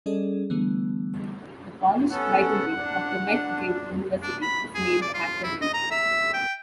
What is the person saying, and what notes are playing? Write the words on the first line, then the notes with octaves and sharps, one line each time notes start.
The Polish Library of the McGill University is named after him.
G3 C#4 G#4 A4 D5 D#5
D3 E3 G3 A3 B3
B3 C#4 A4 F#5
D4
D4
D4
B5
G#4
D5
F4
E4
D#5
A#5
E5
G5